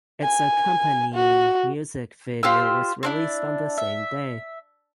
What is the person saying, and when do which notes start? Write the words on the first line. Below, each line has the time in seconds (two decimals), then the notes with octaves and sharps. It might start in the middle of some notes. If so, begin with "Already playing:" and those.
Its accompanying music video was released on the same day.
0.22 G#5
1.15 F#4
2.43 F4 G4 C5 E6
3.03 C4 D4 E4
3.78 E5